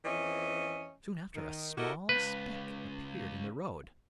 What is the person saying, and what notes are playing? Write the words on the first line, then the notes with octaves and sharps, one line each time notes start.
Soon after a small speck appeared in the road.
F2 E3 F3 C#4 D#5 E5
D#3
E4 F#4 G4 A4 A#4 D#5
C#2 B4